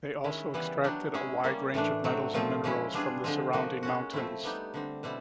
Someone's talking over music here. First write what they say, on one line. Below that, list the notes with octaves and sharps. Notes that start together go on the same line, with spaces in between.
They also extracted a wide range of metals and minerals from the surrounding mountains.
D#3 G#3 C#4 E4
C#3 E3 G3 B3 E4
F#3 B3 D4 G4
G#3 C#4 E4 G#4
G3 A#3 C#4
A2 E3 A3 D4
F#3 A3 C4
A#2 F3 A3 C4 F4
F3 G#3 C#4 E4
G3 B3 D4 F4 G#4
D3 F3 G#3 C4
F3 A#3 D#4 F#4
G#3 C#4 F#4
F3 A3 C4 E4
G3 B3 D#4 G4
D3 G3 C4
B2 G3 C4 E4